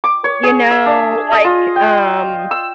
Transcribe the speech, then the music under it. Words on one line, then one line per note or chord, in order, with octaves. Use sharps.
you know, like, um,
D6
C#5
G#4
E5
D4
D#5
F4
G5
E6